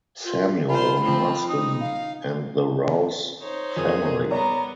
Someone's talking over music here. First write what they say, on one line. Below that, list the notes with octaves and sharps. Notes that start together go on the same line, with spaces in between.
Samuel Marsden and the Rouse Family.
F4
F4 C5 B5
F3 C4 F4
D#4 D#6
F5
D#4 C5 C#5
F2 G#4 A#4
G3 B3 C#5 A#5